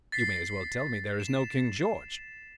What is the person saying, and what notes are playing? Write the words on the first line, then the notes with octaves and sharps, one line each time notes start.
You may as well tell me there is no King George.
A6 B6 C7
E7